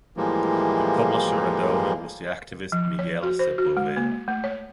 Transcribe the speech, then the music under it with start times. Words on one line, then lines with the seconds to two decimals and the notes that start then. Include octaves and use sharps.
The publisher and owner was the activist Miguel Sepulveda.
0.17 A2 E3 F3 G3 G#3 A#3
2.72 F3
2.99 C#5
3.23 F#4
3.39 C5
3.58 F#4
3.77 G#3
3.97 A#3
4.28 A3
4.44 C#5